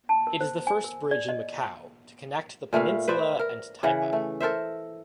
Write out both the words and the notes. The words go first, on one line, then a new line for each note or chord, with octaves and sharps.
It is the first bridge in Macau, to connect the peninsula and Taipa.
A5
A#4
C5
G#5
A#4
D5
D#5
A#2 A3 B4 F5
B4 C5 D5 E5
A#4
C#3 E3 F#5
A3
A4 A#4 C5 E5